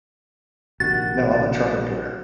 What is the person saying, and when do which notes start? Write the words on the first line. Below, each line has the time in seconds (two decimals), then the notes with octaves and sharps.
No, I'm a trumpet player.
0.80 A#1 C3 D#3 F#4 A6